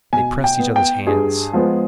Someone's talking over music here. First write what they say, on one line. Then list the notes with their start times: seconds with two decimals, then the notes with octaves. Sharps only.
They pressed each other's hands.
0.13 B2 G#5
0.44 G5
0.59 B3
0.76 G5
1.07 G2 G#4
1.53 F3 G#3 B3